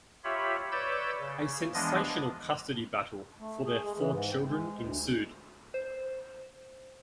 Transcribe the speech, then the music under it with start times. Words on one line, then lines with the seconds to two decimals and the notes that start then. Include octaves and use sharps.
A sensational custody battle for their four children ensued.
0.24 F4 G4 C#5 E5 B5
0.72 B4 C#5 D5 E6 G6 A6
1.20 C#3
1.74 E3 F3 G#3 B3 D4 D#5
3.40 A3
3.65 G#4
3.83 G#3
3.98 E3
4.12 G#2
4.31 G5
4.47 G#3
4.79 D2
5.74 C5